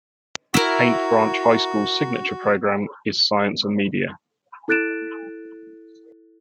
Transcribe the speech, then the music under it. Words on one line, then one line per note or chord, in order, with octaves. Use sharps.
Paint Branch High School's signature program is Science and Media.
E4 F#4 A#4
E4 A4 F#6 A6 D7 E7